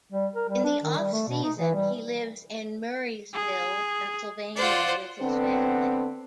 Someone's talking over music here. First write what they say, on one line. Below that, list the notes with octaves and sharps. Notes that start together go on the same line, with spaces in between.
In the offseason, he lives in Murrysville, Pennsylvania with his family.
G3
A#4
G3
D4
D#3
G3
A3
B2
D#4
E3
G3
G#4
F4 C5 D5 F#5
D3 B3 C4